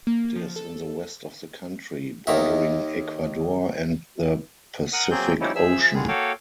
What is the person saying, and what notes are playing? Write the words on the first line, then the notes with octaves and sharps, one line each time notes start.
It is in the west of the country, bordering Ecuador and the Pacific Ocean.
A#3
F3
A4
D#2 D#3 E5
A#4 F#5 D#6
F#3 A#3 C4 G#4 G6
F3 G3 A#3 C#4 D#4 E4
F3 G#4 E5 E6
E2 D3 D#3 G3 G#3 G#4
A#3 F#4 A4 C#5 F5 G5